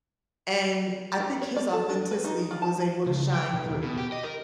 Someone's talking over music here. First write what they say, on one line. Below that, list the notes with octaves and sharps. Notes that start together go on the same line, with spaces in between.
and I think his authenticity was able to shine through.
G4
C#5
D5
A4
D4
B4
D#4
F3
A5
C#2
G5
B1
D#2
B2
G4
D#5
A#4